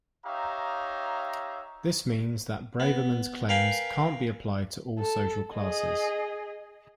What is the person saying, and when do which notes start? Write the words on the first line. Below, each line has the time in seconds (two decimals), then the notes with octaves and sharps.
This means that Braverman's claims can't be applied to all social classes.
0.25 D#4 G4 C#5 E5 F5 A#5
2.80 B3
3.49 A#4 B4 F5 G5 G#5 B5
4.99 A4
5.56 G#4 D#5